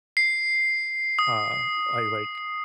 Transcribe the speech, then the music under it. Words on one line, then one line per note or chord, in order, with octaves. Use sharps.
Uh, I like
C7
D#6